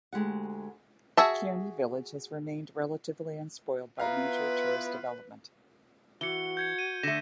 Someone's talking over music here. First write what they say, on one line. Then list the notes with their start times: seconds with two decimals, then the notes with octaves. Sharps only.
Kioni village has remained relatively unspoiled by major tourist development.
0.13 D2 G#3 G4 F#5
1.17 F#4 G#4 E5 A5
4.00 B3 E4 F4 B4 F5 A#5
6.21 E3 F#4 C#7 G7
6.57 G6 G#6 C#7
6.79 D#7
7.03 D3 A3 A#6 B6 E7